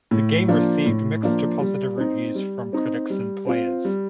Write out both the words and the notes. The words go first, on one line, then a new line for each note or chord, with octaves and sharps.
The game received mixed to positive reviews from critics and players.
A2
F3 A#3 D4
A2
F3 A#3 D4
G3
C4 D#4
G3
C4 D#4
G3
C4 F4
G3